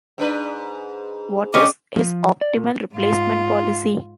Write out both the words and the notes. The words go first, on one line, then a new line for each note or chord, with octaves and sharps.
What is his optimal replacement policy?
G#2 D4 B4
C3 C#4 B4 D#5 D6
F3
D5
A#2
G#2 F4